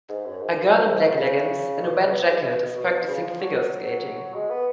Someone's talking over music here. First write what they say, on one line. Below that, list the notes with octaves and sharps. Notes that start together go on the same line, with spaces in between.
A girl in black leggings and a red jacket is practicing figure skating.
G#2
F#2
G#2
A#2
F#2
G#2
G#2
A#2
D#3
C#3
B2
B2
C#3
B2
G#2
B2
B2
C#3
F3
F#3
F#3
G#3
B3